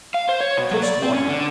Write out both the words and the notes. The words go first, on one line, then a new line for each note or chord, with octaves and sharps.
Toast Water.
F5
C5
C#5
B2
F#3
D5
C4
C#4
D3